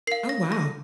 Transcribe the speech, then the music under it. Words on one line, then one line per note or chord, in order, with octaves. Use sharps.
Oh, wow.
A#4 F5 C7
A#6
A#6